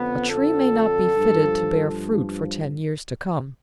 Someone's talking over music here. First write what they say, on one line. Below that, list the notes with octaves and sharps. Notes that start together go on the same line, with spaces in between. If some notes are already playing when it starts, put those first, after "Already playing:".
A tree may not be fitted to bear fruit for ten years to come.
Already playing: F2 D3 F3 B3
A4
G2 F3